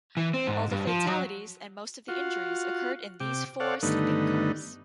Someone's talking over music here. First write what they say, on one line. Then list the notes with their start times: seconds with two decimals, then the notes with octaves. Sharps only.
All the fatalities and most of the injuries occurred in these four sleeping cars.
0.17 E3
0.34 C4
0.47 G#2
0.71 G2
0.87 F3
1.07 F#3
2.08 F4 F#4
3.20 C3 G5 D6
3.60 A4 C#5 D5 F5 F#5
3.83 G2 D3 D#3 A3 B3 D#4